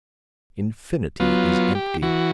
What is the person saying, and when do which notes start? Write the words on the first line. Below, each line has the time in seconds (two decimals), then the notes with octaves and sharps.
Infinity is empty.
1.20 F#3 B3 F4
1.75 G4
2.02 E3 F#4